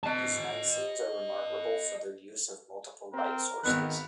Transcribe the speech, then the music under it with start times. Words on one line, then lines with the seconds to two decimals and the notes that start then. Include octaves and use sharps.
His night scenes are remarkable for their use of multiple light sources.
0.04 D#5 A5
3.13 C4 A#4
3.64 G#1 D#3 B3 B5 F#6